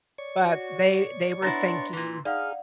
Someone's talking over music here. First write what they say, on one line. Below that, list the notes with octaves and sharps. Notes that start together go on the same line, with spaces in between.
But they they were thinking
C#5 D5 C#6
F#4
B3 D4 E4 A#5 C6 A6 A#6
A#2 E3
D#4 G#4 D5 F5 F#5 F6